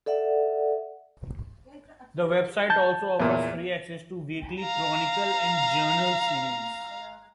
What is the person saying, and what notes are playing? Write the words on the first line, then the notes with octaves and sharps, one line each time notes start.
The website also offers free access to the weekly "Chronicle" and "Journal" series.
A4 D5 E5 F#5
A5 G6
E2 A#2
F5 A#5